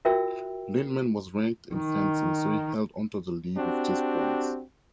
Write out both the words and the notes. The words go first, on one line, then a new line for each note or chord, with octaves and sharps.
Lindman was ranked in fencing, so he held onto the lead with just points.
F4 F#4 A#4 E5 G5 E6
D#3
C4 D4 F#4 G4